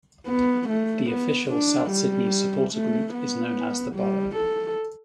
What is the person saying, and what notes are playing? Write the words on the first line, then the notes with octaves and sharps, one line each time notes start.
The official South Sydney supporter group is known as The Burrow.
B3
A3
B3
D4
G3
A3
B3
G3
A4